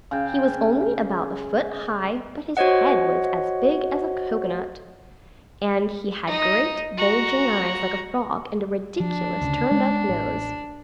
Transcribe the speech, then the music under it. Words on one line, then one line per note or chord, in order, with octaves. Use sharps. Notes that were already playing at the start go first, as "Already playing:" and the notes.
He was only about a foot high, but his head was as big as a cocoanut, and he had great, bulging eyes, like a frog, and a ridiculous turned-up nose.
C#3 G5
F#4 C5 C#5 D#5 F#5
D#4 D#5
F#4 A#5
F3 D4
D2 C#3
G#3
A1